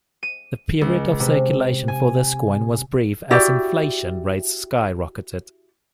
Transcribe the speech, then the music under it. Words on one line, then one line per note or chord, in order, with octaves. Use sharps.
The period of circulation for this coin was brief as inflation rates skyrocketed.
D#7
C#2
C3
G#5
E4 F#4 G4 D5